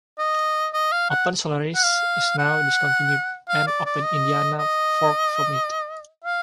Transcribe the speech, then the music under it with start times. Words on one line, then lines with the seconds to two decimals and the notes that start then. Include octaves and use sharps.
OpenSolaris is now discontinued and OpenIndiana forked from it.
0.19 D#5
0.73 D#5
0.92 F5
1.10 F#5
1.75 F#5
1.84 F5
2.38 F#5
3.49 F5
3.67 D5
3.85 D5
4.04 D#5
4.59 D#5
6.24 F5